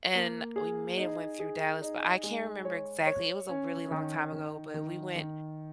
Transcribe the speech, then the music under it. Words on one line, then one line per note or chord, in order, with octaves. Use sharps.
and we may have went through Dallas, but I can't remember exactly, it was a really long time ago, but we went
A#3
G#4
D#4
G#4
D#4
G#3
C#5
C#5
C#4
D#3
D#3
D#3
D#3